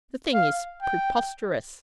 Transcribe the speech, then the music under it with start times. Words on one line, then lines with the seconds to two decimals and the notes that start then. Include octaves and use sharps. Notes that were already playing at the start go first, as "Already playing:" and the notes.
The thing is preposterous!
0.34 F5
0.82 G5